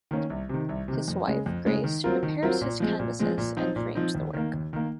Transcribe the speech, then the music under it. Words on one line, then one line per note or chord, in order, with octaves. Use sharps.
His wife Grace prepares his canvases and frames the work.
D#3 A#3 C#4
C2
C3 D#3
C2
C3 D#3
F2
C#3 G#3
F2
C#3 G#3
D#3
F#3 C4 F4 A#4
D#3
F#3 C4 F4 A#4
A#2
F3 G#3 C4
A#2
F3 G#3 C4
A#2
F3 C4 D#4
A#2
F3 C4 D#4
D#2
D#3 A#3
D#2
D#3 A#3